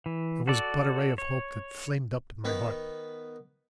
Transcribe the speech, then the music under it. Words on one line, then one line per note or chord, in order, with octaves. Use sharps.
It was but a ray of hope that flamed up in my heart.
E3
F#4 A4 D5
C#5
D#3 B3 B5